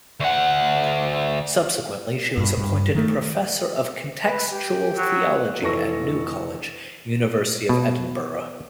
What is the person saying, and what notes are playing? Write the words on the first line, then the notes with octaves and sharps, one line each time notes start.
Subsequently, she was appointed Professor of Contextual Theology at New College, University of Edinburgh.
D2 F#5
G2
G2
D#3 A3
B4
G4
F#3
F1 E3 A4 C#6 A#6
B2